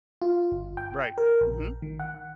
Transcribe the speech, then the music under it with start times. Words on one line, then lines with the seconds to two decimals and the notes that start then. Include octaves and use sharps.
Right, mhm.
0.22 F4
0.52 G1
0.77 G5
1.18 A#4
1.41 A#1
1.82 D#3
1.99 F#5